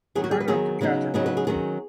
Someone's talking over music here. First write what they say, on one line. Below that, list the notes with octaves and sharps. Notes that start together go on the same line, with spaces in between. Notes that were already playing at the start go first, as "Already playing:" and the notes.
Try not to catch a cold.
D#3 F#3 B3 G#4
F#4
G#4
B4
D#3 F#3 B3 G#4
C#3 F#3 B3 D#4
C#3 F#3 B3 D#4 G#4
B4
G#4
D#3 F#3 C#4 G#4